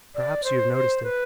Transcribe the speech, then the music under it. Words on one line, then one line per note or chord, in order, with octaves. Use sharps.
Perhaps you have noticed it.
D5
C5
C5
B4